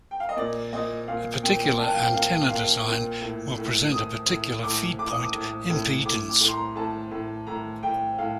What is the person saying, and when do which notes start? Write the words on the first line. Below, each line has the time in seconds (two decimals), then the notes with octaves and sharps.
A particular antenna design will present a particular feedpoint impedance.
0.11 G5
0.20 F5
0.29 D#5
0.37 A#2 D5
0.73 A#2 D#5
1.08 A#2 F5
1.43 A#2 G5
1.79 A#2 A5
1.86 G5
1.94 F5
2.01 G5
2.14 A#2 F5
2.50 A#2 F5
2.86 A#2
3.21 A2
3.57 A2
3.92 A2 D#6
4.27 A2
4.63 A2 D6
4.98 A2 D6
5.11 D#6
5.22 D6
5.34 A2
5.69 A2
6.05 A2 D6
6.29 D6
6.41 A2
6.48 C6
6.52 A#5
6.76 A2 A5
7.11 A2
7.47 A2 A#5
7.83 A2 G5
8.19 A2 F5